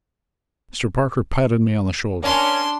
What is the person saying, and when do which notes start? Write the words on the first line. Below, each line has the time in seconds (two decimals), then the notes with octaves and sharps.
Mr. Parker patted me on the shoulder.
2.23 A#3 C#4 D4 C6